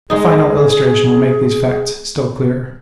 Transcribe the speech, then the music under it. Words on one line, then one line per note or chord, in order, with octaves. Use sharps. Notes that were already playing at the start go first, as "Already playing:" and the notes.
A final illustration will make these facts still clearer.
G#3 D#4 G#4